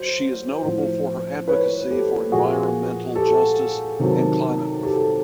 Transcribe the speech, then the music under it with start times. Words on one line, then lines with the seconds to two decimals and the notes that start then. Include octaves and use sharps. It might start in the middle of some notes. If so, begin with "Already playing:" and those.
She is notable for her advocacy for environmental justice and climate reform.
Already playing: F#3 C5
0.64 A2 F3
1.48 B4 C#5
1.91 G4 A4
2.32 A#2 F3 F#4 G#4
3.15 G4 A4
3.99 C3 D#3 F#3
4.84 G4 A4